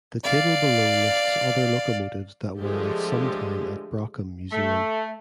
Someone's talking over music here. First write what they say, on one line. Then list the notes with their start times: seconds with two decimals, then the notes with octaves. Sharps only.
The table below lists other locomotives that were at some time at Brockham Museum.
0.24 D5 F5
2.58 D3 F3 G#3 A3 G4 A4
4.52 A3